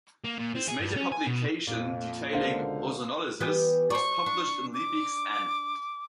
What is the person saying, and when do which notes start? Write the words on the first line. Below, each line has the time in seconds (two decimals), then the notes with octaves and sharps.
His major publication detailing ozonolysis was published in Liebigs Ann.
0.24 A#3
0.38 A#2
0.55 C4
0.67 G#4
0.80 G2
0.96 C#4
1.12 G#5
1.27 B2
1.67 F2 A#2
2.32 C#2 B2 D3 A#4 C5 F5
3.41 E3 B3 G4
3.90 C5 D5 C#6
4.26 D4
4.74 D6